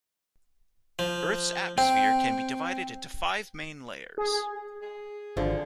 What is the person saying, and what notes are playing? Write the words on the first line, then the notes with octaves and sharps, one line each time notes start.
Earth's atmosphere can be divided into five main layers.
F3
C4 G5
G#4
G#4
G#1 D3 F3